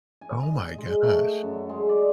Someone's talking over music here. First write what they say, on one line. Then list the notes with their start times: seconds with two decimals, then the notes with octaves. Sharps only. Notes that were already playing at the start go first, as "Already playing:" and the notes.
Oh my gosh.
0.21 G#5
0.43 D#5
0.78 G#3
1.04 A3
1.17 F#5
1.43 F#2
1.69 G#3
1.89 D5